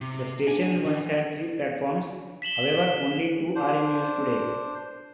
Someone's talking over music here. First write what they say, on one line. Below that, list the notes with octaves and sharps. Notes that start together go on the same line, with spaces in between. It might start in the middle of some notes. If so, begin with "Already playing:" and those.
The station once had three platforms, however only two are in use today.
C3
D4 G#5
E3
B6 E7 F#7 G7
D4 C5